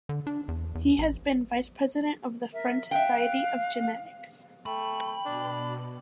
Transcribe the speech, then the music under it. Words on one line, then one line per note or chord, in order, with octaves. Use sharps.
He has been Vice President of the French Society of Genetics.
D3
D4
E2
E2
A1
A#4 E5
E5 F5 G5 F#6
A3 G5 B5
B2 D4